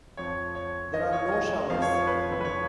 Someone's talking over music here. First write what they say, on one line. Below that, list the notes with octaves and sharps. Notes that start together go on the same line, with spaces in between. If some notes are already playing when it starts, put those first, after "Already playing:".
There are no showers.
F2 F3 C#5
C#5
D#5
C#5
D#5
F2 F3 F5
C#5
C#5
B4
B4
C#5